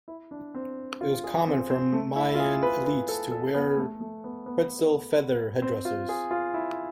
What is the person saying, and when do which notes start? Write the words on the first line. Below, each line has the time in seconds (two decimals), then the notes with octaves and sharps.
It was common for Mayan elites to wear quetzal feather headresses.
0.08 E4
0.31 D4
0.54 C4
1.01 F4
1.24 G#4
1.47 C4
1.70 C4
1.93 A3
2.16 E4
2.35 F4
2.39 G#4
2.63 B4
2.85 B4
3.09 A4
3.32 A4
3.54 B3
3.77 A3
4.00 A3
4.24 B3
4.46 B3
5.62 C4
5.85 F4
6.09 G#4
6.31 F4
6.54 E4